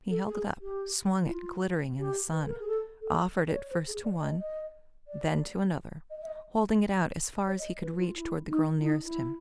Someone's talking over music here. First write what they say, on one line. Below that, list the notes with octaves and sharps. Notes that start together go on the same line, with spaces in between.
He held it up, swung it, glittering in the sun, offered it first to one, then to another, holding it out as far as he could reach toward the girl nearest him.
A4
G#4
G4
E4
F4
G4
B4
A4
A#4
G#4
A4
A4
D5
C#5
C5
G#4
D5
D#5
D#5
D5
D#5
E5
D#5
C#5
D#5
B4
F4
E4
D#4
E4
D#4
E4